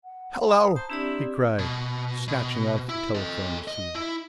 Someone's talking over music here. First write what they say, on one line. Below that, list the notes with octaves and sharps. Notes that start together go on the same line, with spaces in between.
"Hello!" he cried, snatching off the telephone-receiver.
F#5
A#5 B5 D#6
C5 A5
C4 D4 E4 G4 D5
B2
B2
E4
A4 D#5
D#5
E4